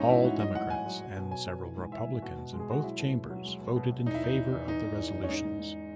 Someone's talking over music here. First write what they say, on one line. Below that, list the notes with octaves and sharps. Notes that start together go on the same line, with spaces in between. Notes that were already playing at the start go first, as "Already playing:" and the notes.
All Democrats and several Republicans in both chambers voted in favor of the resolutions.
Already playing: G#2 G#3 C#4 D#4
E3 E4
G#2 F#4
F#3 D#5
A2 F#5
A2 G#5
F#3
F#3
B2
F#3 G#5
B2
E3
G#2
E3 E5
G#2
B2 F#4
B2
G#3
G#4
G#3 F#4
F#3 E4
B2
B2
F#3
G#3
B2
B2
B2
E2 D#4
E4
E2 D#4
E2
E2
E2 D#4
E2
E2
E2
C#4
G#2 D#4
G#2
G#2